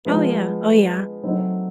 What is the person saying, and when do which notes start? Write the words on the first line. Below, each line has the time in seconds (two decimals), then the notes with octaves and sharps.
Oh, yeah, oh, yeah.
0.05 F3 G#3 B3
1.23 F#3 A3 C4 D#4